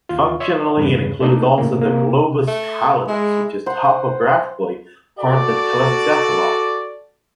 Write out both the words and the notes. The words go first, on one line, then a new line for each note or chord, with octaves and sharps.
Functionally it includes also the globus pallidus which is topographically part of the telencephanol.
D#2 F4
C#5 D#5 E5 C6
E2 G2 C#3 B4
A3 A#3 D4 D#4
A2 C#3 A#3
C3 A#3
A3
G#3 E4
C5 F#5
F#4 A4 D5